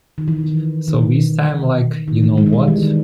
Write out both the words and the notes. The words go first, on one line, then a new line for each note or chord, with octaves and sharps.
So this time, like, you know what?
D#3
E3
D#3
D#3
E3
G#3
E3
G3
E3
D#3